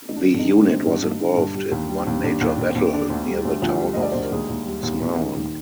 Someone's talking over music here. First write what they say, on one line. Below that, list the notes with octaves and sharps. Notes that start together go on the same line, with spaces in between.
The unit was involved in one major battle, near the town of Smarhon.
D#4
D3 D4
G2
D#3 D#4
D3
C4
D3
G2
G2
D3
G2
G3
D#2
G3
D#2
D#2 D4
D#2
D4
D#2
C4
D#2
D3 D4
D2
G3
D2
D2 F3 F4
G3
D2 D#5
D5
D2 C5
A#4
D#2 G#3 G#4
D#2
G3
D#2
D#2
D#3
D#2